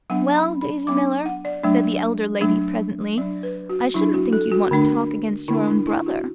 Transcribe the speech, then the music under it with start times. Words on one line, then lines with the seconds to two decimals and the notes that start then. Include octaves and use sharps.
"Well, Daisy Miller," said the elder lady, presently, "I shouldn't think you'd want to talk against your own brother!"
0.10 F#3 B3 D4 F#5
0.36 B5
0.61 B5
0.87 F#3 B3 D4 D6
1.26 F#5
1.45 D5
1.63 F#3 A3 D4
2.41 F#3 A3 D4
3.18 F#3 D5
3.22 D4
3.43 B4
3.69 F#4
3.94 F#3 D4 E4
4.14 F#4
4.33 A4
4.52 F#4
4.71 D3 A3 D4
5.48 D3 A3 D4 E4
5.67 D4
5.87 E4
6.06 F#4